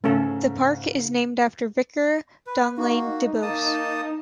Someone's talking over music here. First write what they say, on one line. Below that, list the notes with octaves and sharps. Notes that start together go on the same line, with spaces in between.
The park is named after Victor Donglain Duboce.
G#2 C#3 A3 C#4 A4
B4
A#3 D#4 F#4
A#3 A5 D#6